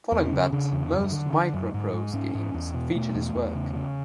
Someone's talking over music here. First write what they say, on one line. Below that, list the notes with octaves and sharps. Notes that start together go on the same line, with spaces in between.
Following that, most MicroProse games featured his work.
E2
C#4
C#3
C#4
C#3 D4
E2
F#2
D3
D3
F#2
G#2
G#2
G#2 C#4
G#2
E2
B2
B2 A3
E2
E2
C#3
C#3